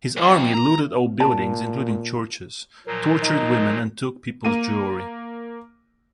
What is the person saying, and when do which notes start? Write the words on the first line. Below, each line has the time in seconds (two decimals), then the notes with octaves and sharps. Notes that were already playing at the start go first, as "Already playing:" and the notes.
This army looted all buildings -including churches-, tortured women, and took people's jewelry.
0.17 F2 G#2
0.54 A#5
1.20 A#2 A5
2.87 A#2 F3 F#3 A#4
3.23 D#4
4.45 A#3 D#7